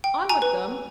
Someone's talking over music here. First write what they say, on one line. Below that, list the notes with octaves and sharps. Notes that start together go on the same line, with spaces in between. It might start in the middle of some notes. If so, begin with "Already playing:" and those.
On with them!
G5
G#5 A#5
B4